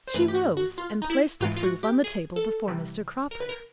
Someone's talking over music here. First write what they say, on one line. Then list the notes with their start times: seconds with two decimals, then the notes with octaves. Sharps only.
She rose and placed the proof on the table before Mr. Cropper.
0.08 C5
0.14 G2 E3 A3 B4
0.28 G4
0.35 F#4
0.57 F#4
0.78 F4
1.02 D#4
1.10 E4
1.41 G#2 E3 G#3 F4
1.56 F4
1.63 F#4
1.83 G4
2.04 G#4
2.36 A4
2.68 C3 E3 G3
3.31 A#4
3.40 B4
3.49 A#4